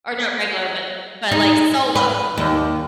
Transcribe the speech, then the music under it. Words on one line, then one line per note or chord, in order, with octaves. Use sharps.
Or not regular, but but, like, solo?
D#4
B4
D#2